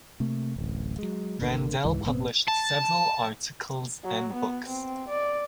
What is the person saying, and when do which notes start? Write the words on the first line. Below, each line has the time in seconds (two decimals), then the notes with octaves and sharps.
Randell published several articles and books.
0.20 C3 A3 A#3
0.56 D1 A1
0.99 F#3 G#3
1.41 G#1 D3 A#3
1.84 C#2 G#2 E3
2.04 F#1 A#2 B3 C4
2.48 A5
4.04 F#3
4.34 B3
4.68 C4
5.09 D5